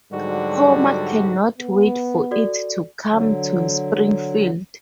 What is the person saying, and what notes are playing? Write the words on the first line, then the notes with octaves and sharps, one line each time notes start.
Homer cannot wait for it to come to Springfield.
G#2 D3 F#3 G3 F#4
B3
F#4 A4 D5
D3 F#3